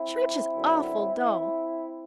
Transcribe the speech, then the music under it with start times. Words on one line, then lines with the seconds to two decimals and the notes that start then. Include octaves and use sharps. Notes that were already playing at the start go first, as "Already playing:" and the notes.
Church is awful dull.
Already playing: C4 E4
0.57 F#2 D3 F#3